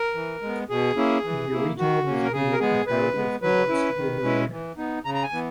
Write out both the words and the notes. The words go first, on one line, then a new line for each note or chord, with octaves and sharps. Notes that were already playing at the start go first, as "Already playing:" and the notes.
In the original music video, a parody of Who Wants to Be a Millionaire?
Already playing: A#4
E3
G#3 B3
B2 G#4
A#3 C#4 E4
E3
A#3 E4
D#3 F#4
A#3 C#4
A#4
C#3 G#4
A#4
G#3 B3 G#4
A#2 B4
G#3 B3
F#3 B4
C#4 E4
D#3
G#3 C#4 E4
E3
B3 D#4
C#3 A#5
A#5
G#5
E3 B3